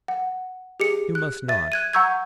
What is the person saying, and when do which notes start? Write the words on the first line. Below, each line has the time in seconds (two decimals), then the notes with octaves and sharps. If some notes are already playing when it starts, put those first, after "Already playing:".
You must not.
0.08 F#5
0.80 G4 G#4 C#7
1.15 F#6
1.48 E5 A6
1.72 F#6 G#6 D#7
1.93 F#5 A#5 C#6 E6 G6 G#6